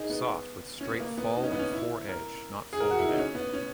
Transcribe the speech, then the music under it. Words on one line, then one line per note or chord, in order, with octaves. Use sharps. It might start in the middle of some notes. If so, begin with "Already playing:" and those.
Soft with straight fall and fore edge not folded out.
Already playing: D#4 G#4 A#4
B3
C#4
B3
A#3
B3
D#4
C#4
B3
C#4
E4
A#4
G#4
A#4
F#4
E4
D#4
C#4
B3
C#4